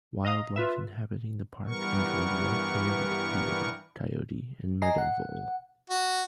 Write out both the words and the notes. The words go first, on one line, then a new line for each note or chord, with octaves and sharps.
Wildlife inhabiting the park include white-tailed deer, coyote, and meadow vole.
D#5 F5 A#5 D#6
F4 B4 E5
G2 E3 G3 B3 A#4 C#6
D#5 G#5 A#5 C7
F#5
F#4